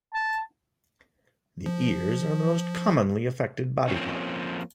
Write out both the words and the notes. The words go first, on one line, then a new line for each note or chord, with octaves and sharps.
The ears are the most commonly affected body part.
A5
F3
F3 A#3 C4 C#4